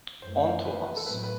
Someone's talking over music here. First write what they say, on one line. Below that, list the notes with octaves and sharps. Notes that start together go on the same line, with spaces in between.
On to us.
F#2 E3 A3 C5
C5
B4
B4
B4
A4
A2 F#3 A3 C4 B4
B4